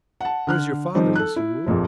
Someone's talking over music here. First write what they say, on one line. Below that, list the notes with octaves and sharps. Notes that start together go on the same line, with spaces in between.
'Where's your father, Miss Yule?'
F#5 A5
D3 F6 F#6
D#3 F3 G3 C4 D#4
A4 F#6
E4
A#1 F2 A#2 F3